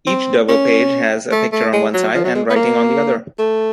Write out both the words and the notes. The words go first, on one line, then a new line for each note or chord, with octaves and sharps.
Each double page has a picture on one side, and writing on the other.
C4
C#4
A3
A3
G#3
F#3
F3
F#3
G#3
B3
A#3
A3